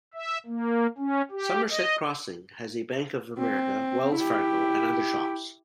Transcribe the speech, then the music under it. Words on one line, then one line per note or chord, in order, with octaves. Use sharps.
Somerset Crossing has a Bank Of America, Wells Fargo, and other shops.
E5
A#3
C#4
G4
D#5
C4
E4 G4